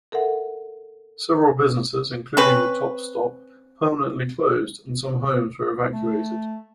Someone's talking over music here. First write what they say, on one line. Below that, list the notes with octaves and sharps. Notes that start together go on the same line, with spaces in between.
Several businesses, including the Top Stop, permanently closed, and some homes were evacuated.
A4 A#4 E5 F#5
C4 C#4 B4
A3